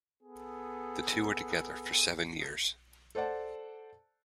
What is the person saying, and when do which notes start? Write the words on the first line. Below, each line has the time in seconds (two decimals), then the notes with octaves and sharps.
The two were together for seven years.
0.22 B3 G#4 A4
3.15 A4 C5 D5 F#5 A5